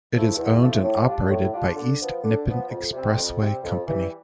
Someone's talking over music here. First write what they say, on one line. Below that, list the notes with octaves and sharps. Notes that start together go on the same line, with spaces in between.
It is owned and operated by East Nippon Expressway Company.
C3 F3 A3 E4
E2
C3 F3 A3 E4
A2
G3 D4 F4
A2
G3 D4 F4
D3
F3 B3
D3
F3 B3
F2
C3 G3 C4
F2
C3 G3 C4
F2
E3 G3